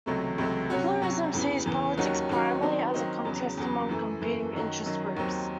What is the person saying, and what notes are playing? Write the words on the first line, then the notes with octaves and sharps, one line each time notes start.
Pluralism sees politics primarily as a contest among competing interest groups.
C#2 C3 F#3 A3
C#2 C3 F#3 A3
C3 F#3 C#4 F#4
C3 F#3 C#4 F#4
E2 C#3 E3
E2 C#3 E3
D#2 D#3 F#3 C#4 F#4
D#2 D#3 F#3 C#4 F#4
D#3 F#3 C4 D#4
D#3 F#3 C4 D#4
E2 C#3 F#3
E2 C#3 F#3
F#2 E3 A3
F#2 E3 A3
F#2 D#3 F#3
F#2 D#3 F#3
D#2 D#3 F#3 C4